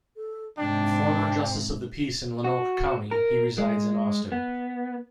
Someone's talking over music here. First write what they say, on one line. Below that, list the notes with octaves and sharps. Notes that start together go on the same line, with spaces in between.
A former justice of the peace in Lonoke County, he resides in Austin.
A4
G#2 C3 D4 G5
F#4
A#4
G#3
B3